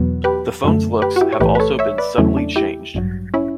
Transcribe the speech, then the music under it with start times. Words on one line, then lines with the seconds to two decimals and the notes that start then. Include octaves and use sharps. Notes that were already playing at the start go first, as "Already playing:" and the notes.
The phone's looks have also been subtly changed.
Already playing: E2 B2 F#3 B3
0.24 G4 B4
0.64 F#2 D3 A3
1.02 G4 B4
1.16 F#4
1.21 E4 G4
1.32 C#5
1.40 B1 A2 E3 A3 G4 B4
1.55 B4
1.60 A4 C#5
1.79 C#5 E5
1.98 B4 D5
2.18 E2 C#3 F#3 A3 C#4 E4
2.37 D4
2.56 E4 G4
2.94 A1 G2 F#3
3.34 C#4 E4